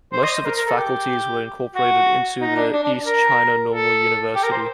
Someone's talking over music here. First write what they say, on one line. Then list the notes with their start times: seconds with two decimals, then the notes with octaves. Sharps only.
Most of its faculties were incorporated into the East China Normal University.
0.13 C5
0.23 D#5
0.34 C5
0.45 A#4
0.55 A#4
0.67 A4
0.78 G4
1.75 F#4
2.41 D#4
2.56 D4
2.73 D4
2.83 D4
3.06 A#4
3.70 A4
4.35 G4
4.43 A#4
4.52 C5